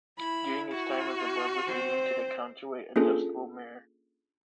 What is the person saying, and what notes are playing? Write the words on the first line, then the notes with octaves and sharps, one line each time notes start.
During his time as a barber, he invented a counterweight-adjustable mirror.
E4 B5
F#4
C4 C5
A#3 C#4 D4 F4 G#4 A4